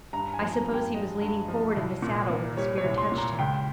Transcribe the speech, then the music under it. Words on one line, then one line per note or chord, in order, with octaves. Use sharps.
I suppose he was leaning forward in the saddle when the spear touched him.
G2 A#5
G#5
F3
A#5
G2
G5
G#3 D#5
G2
F3
C2
A#2
A#3
G3 C#5
C#5
C2
C6
A#2
A#5
C#2 G5